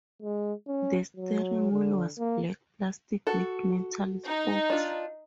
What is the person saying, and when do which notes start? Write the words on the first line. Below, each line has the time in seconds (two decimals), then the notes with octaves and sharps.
The steering wheel was black plastic with metal spokes.
0.22 G#3
0.67 C#4
1.16 F#3
1.71 D3
2.18 A#3
3.27 F#4 A4
4.25 D#4
4.70 D4 F4